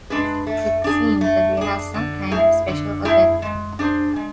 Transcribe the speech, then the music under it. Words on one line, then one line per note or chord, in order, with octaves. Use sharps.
It seems that we have some kind of special effect.
G#3 D4 G#4 B4
A3
D4 G#4
A3
D4 G#4
D3
A3 E4 G#4
D3
A3 E4 G#4
G#3
D4 G#4 C5
G#3